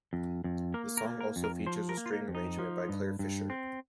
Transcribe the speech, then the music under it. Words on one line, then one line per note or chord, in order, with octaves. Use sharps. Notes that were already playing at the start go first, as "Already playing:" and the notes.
The song also features a string arrangement by Clare Fischer.
F2
F2
A#3 A#4
A#4
A#3
A#4
F2
A#4
F3 C5
A#4
A#3
F4
D#4
F2
D#4
F3
G2
G2
C4